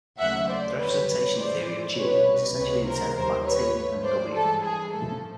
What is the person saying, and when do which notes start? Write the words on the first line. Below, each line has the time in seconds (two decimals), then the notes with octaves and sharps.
The representation theory of "G" is essentially determined by "T" and "W".
0.19 D#2 C#3 F#3 A3 E5 F#5
0.49 C5 D5
0.78 F#2 D3 G3 B4 C#5
1.37 A2 E3 G#3 C5 D5
1.96 C2 B2 G3 B4 C#5
2.55 C#2 C3 F3 G#3 B4 C#5
2.85 A#4 C5
3.14 D#2 D#3 G3 A#4 C5
3.45 B4 C#5
3.74 G#2 F3 A3
4.03 C5 D5
4.33 G2 E3 G#3 A4
4.63 G#4
4.92 A2 F3 A3 A4